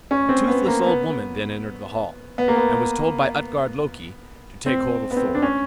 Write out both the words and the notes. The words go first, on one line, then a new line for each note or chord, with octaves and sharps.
A toothless old woman then entered the hall, and was told by Utgard-Loki to take hold of Thor.
C#4
C4
B3
A#3
B3
B3
A#3
B3
C4
B3
C4
D4
C#4